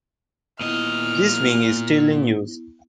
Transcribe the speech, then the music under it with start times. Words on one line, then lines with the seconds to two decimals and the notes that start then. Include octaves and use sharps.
This wing is still in use.
0.61 A#2 B3 E4 D#5 F6